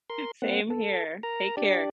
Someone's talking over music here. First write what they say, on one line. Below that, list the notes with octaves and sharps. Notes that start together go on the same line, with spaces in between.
Same here. Take care.
A#4 C6
A#3 C4 F#5
A4
A#4 A#5
D4 G4 D5